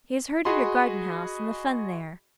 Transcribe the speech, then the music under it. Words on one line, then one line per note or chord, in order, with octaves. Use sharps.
He has heard of your garden-house and the fun there.'
F#4 G#4 D#5 B5 C6